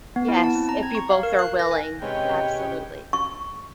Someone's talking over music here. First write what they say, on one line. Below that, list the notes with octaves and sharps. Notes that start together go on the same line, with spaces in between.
Yes, if you both are willing, absolutely.
B3
E4
A5
C4
A#5
G#6
C#6
F5
A#4
F#6
A#6
G#5
G#2 C3 C#4 B4 C#5 G5
C#6